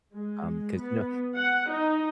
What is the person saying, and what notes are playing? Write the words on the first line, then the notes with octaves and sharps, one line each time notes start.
um, 'cause, you know,
G#3
B3
F#5
D#4